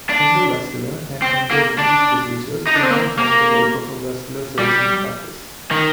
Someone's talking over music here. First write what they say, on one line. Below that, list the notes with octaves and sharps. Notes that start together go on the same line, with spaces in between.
Endovascular and endovenous procedures can now form the bulk of a vascular surgeon's practice.
D4
C4
A#3
D4
D#4
D4
C4
A#3
A#3
G3
D#3